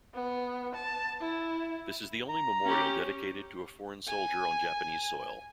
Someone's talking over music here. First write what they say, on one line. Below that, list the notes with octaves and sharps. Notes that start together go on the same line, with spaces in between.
This is the only memorial dedicated to a foreign soldier on Japanese soil.
B3
A5
E4
A#5
C#4 G4
G#5